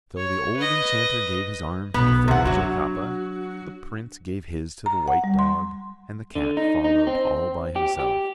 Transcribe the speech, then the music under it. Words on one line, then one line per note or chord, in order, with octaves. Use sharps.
So the old enchanter gave his arm to the Fairy Jocapa, the Prince gave his to the white dog, and the cat followed all by himself.
C#5
B4 D#5
B1 B3
C3 F#5
F#3 D4 F#4
A#5
F#5
G3
C6
D3
D#4
D#4
C4
G4
G4